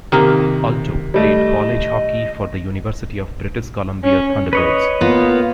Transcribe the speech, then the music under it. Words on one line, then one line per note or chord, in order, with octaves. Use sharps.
Alto played college hockey for the University of British Columbia Thunderbirds.
C3 D#3 A#3
G3 A3 D#5
C#4
B4 C#5 D#5
A#3 B3 F4